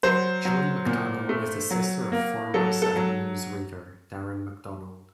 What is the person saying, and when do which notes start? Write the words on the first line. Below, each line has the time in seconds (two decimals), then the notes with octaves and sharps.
Julie McDonald is the sister of former Seven newsreader, Darren McDonald.
0.03 F#3 C5
0.45 F#3
0.86 A#2
1.29 A3
1.70 F#3
2.12 A#3
2.54 F#3 A4
2.82 A4
2.96 F#3